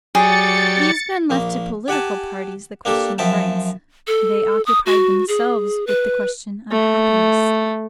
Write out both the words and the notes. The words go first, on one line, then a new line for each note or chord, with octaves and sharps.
These men left to political parties the question of rights, they occupied themselves with the question of happiness.
F#3 G4 G#4 D5 A6 C#7
A#1 A#3
G4 F#5 G#5 A5
A#3 D4 G4 A4
F#2 F3 E5 G5 A5
A4
D#6
F#4
G#4
B4
A3